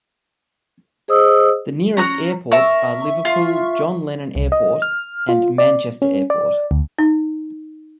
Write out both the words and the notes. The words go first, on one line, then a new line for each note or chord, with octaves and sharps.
The nearest airports are Liverpool John Lennon Airport and Manchester Airport.
G#4 C5 D#5 D#6 E6
C#4 A#5 F#6
A#4 E5 A5 C#6
F4
C2
D#5
F6
F4
D5
C#4
D5
D2
D#4